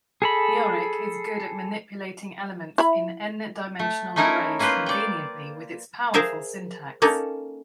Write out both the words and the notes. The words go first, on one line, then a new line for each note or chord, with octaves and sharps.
Yorick is good at manipulating elements in N-dimensional arrays conveniently with its powerful syntax.
G#4 A4 B5
E4 E5 B5
A3
A3 C#4 D#4 E4 A#4 C#5
A#3 C#4 F4 B4 C5
D5 G5
G#4 A#4 C5 E5 F5 G#5
A#3 C#4 D#4 A4